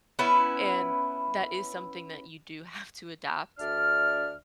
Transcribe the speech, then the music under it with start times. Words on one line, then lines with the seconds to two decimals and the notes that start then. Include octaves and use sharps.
And, that is something that you do have to adapt,
0.19 B3 C#4 E4 B4
3.59 D2 D4 D5 E5 F6